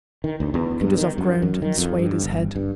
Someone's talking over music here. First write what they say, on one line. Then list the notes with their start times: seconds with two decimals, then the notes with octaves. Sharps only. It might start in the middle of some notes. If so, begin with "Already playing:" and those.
Kutuzov groaned and swayed his head.
0.24 D#3
0.40 D2
0.54 E2
0.81 G2
0.97 D#3
1.18 F#2
1.42 F#2
1.62 D#3
1.78 F2
1.99 G2
2.24 G1
2.56 G2